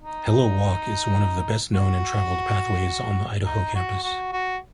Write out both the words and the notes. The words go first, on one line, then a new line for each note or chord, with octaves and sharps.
"Hello Walk" is one of the best-known and traveled pathways on the Idaho campus.
D#4
F#4
D#4
F#4
F#4
F#4